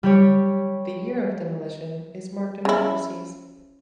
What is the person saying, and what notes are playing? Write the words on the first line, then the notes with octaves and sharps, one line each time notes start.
The year of demolition is marked in parentheses.
G3 G4 C#5
C#3 E4